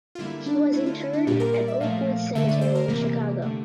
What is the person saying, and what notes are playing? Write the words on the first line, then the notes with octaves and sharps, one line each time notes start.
He was interred at Oak Woods Cemetery in Chicago.
F4
D3 G3 A#3 E4
D4
D3 A3 E4
F4
E4
D4
A#2 G3 A#3 G4
A#4
D5
E5
A#2 F3 A3 F5
D3 A3 E5
D5
C5
A#4
C3 E3 A#3 G4
D3 A3